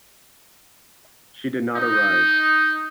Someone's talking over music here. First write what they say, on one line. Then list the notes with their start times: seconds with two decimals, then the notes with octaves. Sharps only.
She did not arrive.
1.76 D#4